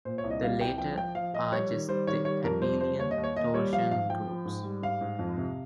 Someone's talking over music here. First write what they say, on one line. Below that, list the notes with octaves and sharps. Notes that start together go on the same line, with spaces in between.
The latter are just the abelian torsion groups.
A#2 C5
C#5
C2
D#5
G3 F5
C2 G5
F3 G5
F3 G5
F3 F5
F3 D#5
G3 C#5
D#3
G3 C5
D#3 C#5
G3 C#5
F2 A#4
G3 C5
G3 C5
D#2 C#5
D#5
D#2
C#5
D#2 D#5
G3 C#5
F3 F5
G#2 F5
F3 G5
F3
G#2
G3
G#2 F5
G#2
F2
C3